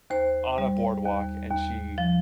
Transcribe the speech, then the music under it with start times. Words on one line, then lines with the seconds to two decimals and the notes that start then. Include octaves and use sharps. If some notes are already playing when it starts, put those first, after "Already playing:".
on a boardwalk, and she
0.10 D#2 C5
0.58 G3
1.05 D#2
1.51 D#2
1.98 F3